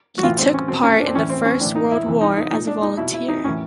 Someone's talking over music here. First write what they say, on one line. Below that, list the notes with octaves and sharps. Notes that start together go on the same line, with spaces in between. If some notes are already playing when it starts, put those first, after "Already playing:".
He took part in the First World War as a volunteer.
F#4
A2 E3 F4
C4
C#4
B2 C4
C#4
D4
C4
A2 E3 C#4
C4
C#4
A2 E3 D4
D#4
E4
C3 E3
D#4
D#4
A#2 D#4
D4
D#4
B2 E4
E4
D#4
A2 E3 C#4